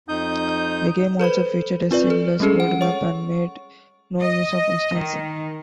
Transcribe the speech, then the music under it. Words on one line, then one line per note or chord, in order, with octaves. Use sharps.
The game also featured a seamless world map, and made no use of instancing.
F2 D#4 D#6 G6
A4 B4 C5 B5
C4 F4 B4 D5
A4
G3 G#3 C#4 G#4 A4
F#5
C#5 F#5 C#6
D#5
D#3